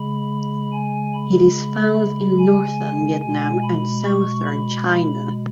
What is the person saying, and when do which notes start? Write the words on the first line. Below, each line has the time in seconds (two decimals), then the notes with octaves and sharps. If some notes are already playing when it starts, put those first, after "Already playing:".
It is found in northern Vietnam and southern China.
Already playing: C#3 G#3 B5
0.72 G#5
1.13 B5
2.38 G#5
3.21 B2 G#3 G#5
3.63 B5
4.05 C#6
4.46 B5
4.88 B5